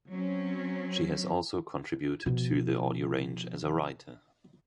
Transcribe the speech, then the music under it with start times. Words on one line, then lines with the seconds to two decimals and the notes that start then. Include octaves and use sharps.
She has also contributed to the audio range as a writer.
0.11 F#3 C4 C#4
2.26 B2 F3